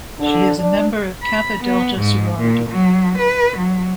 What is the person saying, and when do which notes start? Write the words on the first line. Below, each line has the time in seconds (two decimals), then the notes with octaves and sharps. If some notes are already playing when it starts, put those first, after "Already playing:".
She is a member of Kappa Delta sorority.
0.20 D3
0.58 D4
1.23 B5
1.62 B3
1.97 G#2
2.37 A#2
2.70 F#3
3.17 B4
3.56 F#3